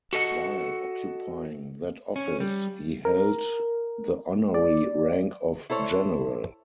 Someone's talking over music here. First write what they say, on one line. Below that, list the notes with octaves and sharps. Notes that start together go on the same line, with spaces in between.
While occupying that office, he held the honorary rank of general.
F#4 A4 D#5 F#5
C#4
G3
A#4
D5
E4 A4 C5 C#5